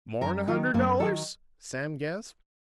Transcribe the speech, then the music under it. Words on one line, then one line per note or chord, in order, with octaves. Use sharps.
"More'n a hunderd DOLLARS?" Sam gasped.
F#2 A#4
D#3 F#3 F4
F#2 A#3
D#3 F#3 A4